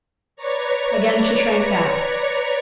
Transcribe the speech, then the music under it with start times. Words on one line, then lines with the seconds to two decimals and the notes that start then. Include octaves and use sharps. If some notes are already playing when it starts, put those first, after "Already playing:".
Again she shrank back.
0.36 B4 C#5 D5 A#5 C#6